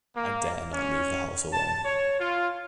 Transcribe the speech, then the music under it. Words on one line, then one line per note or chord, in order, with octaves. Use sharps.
I dare not leave the house alone.
A#3
C#4
A5
C#5
F4